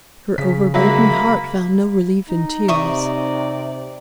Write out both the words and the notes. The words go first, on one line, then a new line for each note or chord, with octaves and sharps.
Her overburdened heart found no relief in tears.
C#3 B6
F#3 G#3 A#3 E5 B5
D#4
C3 D5 E5 C#6 D#6